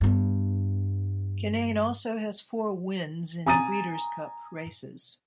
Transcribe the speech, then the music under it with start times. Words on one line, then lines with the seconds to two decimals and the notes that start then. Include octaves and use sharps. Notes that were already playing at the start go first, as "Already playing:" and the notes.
Kinane also has four wins in Breeders' Cup races.
0.01 G2 B3
3.47 G#5 A#5 D#6 A6 D#7